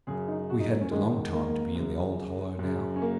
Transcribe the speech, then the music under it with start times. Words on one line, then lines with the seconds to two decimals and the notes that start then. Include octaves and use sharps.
We hadn't a long time to be in the old Hollow now.
0.07 F#2 C#3 G#4
0.28 D#4
0.50 F#4
0.60 D#4
0.70 A#3
0.81 C#4
0.91 G#2 D#3 G#3
1.33 A#3
1.76 F#2 C#3
2.59 F#2 C#3
2.96 C#4
3.02 A#3